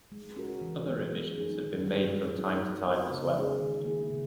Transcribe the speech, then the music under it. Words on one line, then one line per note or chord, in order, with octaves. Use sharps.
Other revisions have been made from time to time as well.
G#3
C#4 F#4 A#4
E3
G#3 B3
G#3
D#4 G#4
D#3
F#3 C#4 G#4
G#3
D#4 F#4 A#4
G#3
B3 F#4 A#4
C#3
G#3 C#4 G#4
D#3
A#3 E4 G#4
C#3